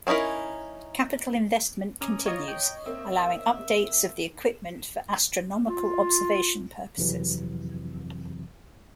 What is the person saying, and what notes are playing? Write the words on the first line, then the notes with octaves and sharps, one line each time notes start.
Capital investment continues, allowing updates of the equipment for astronomical observation purposes.
C4 C#4 D#4 E4 A#4
C#4 A#5 D6 D#6
F4 C#5 D#5
G5
A#3 C4 E5
F4
F2 C3 E3 F#3